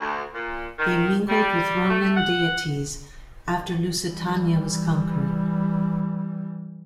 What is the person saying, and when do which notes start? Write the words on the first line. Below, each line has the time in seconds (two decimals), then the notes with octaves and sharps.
They mingled with Roman deities after Lusitania was conquered.
0.01 D2
0.34 A#2
0.79 D#3
1.29 G3
1.90 A3
2.16 F#5
4.06 E3 G3